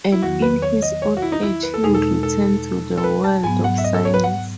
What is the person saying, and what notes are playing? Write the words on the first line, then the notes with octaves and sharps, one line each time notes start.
And in his old age he would return to the world of science.
E4
E2 D#3 F#3 B3 F#4
B4
C#5
D#5
C#5
F#4
E4
D#4
E4
B4
A4
E2 B2 G#3 D#4 G#4
A4
A4
A4
B4
A5
G#2 F#3 B3 G#5
F#5
E5
D#5
A4
C#5
B4
F#5